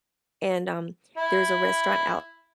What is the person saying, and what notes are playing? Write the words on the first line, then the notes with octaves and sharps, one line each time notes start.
and, um, there's a restaurant out
E4